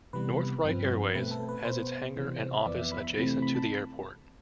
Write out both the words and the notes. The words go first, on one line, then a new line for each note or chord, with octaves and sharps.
North-Wright Airways has its hangar and office adjacent to the airport.
C3 E3 G3 B3 B4
G2 F3 C4
B2 A3 C4 B4
A4
B4
B2 B3 C5
C3 E3 B3
E5
F2 E3 B3 D5
E5
B5
B5
C3 E3 A3 C4
B5
A5